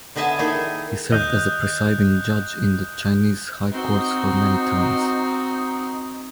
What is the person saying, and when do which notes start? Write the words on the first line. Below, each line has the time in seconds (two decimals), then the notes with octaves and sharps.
He served as a presiding judge in the Chinese high courts for many terms.
0.16 D3 B3 D#5 E5 G#5 A5
0.39 D#3 A#3 D#4 E4 G#4 A4
1.12 D#2 D#5 D#6 F#6 G6
3.72 C4 D#4 F#4